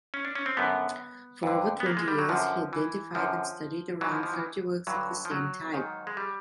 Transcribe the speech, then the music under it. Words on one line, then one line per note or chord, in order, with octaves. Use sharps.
For over twenty years, he identified and studied around thirty works of the same type.
C#4
D4
C#4
C4
F#2 D3 B3
F2 D3
B3
A#3
G#3
G3
F#3
F#2 D3 F3
E3
F#2 D3 F3
G#2 E3 F#3
F3
F3
E3
G2 D3 F#3
F3
F#3
G#2 D#3
G#3
G3